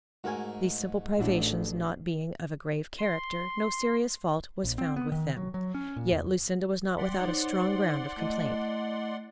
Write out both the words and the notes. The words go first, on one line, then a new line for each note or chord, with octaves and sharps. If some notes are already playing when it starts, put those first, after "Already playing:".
These simple privations not being of a grave character, no serious fault was found with them; yet Lucinda was not without a strong ground of complaint.
G#2 A3 F#4 A#4 G#5
A1 D4 E4 F#4
C6
A#1
C4
B3
D#3
F#3
F#3
C#4
A#2
E2
F#3 G3 D5 F#5 C6
D#4 C5 C#5
A3 E4 D#5